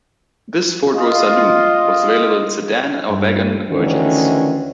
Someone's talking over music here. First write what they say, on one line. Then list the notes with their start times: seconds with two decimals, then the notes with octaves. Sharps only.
This four-door saloon was available in sedan or wagon versions.
0.94 F4 D#5
3.09 G2
3.70 D2 D#3 E3 C#4